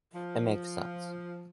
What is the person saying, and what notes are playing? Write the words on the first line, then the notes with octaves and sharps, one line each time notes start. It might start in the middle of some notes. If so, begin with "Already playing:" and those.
It makes sense.
F3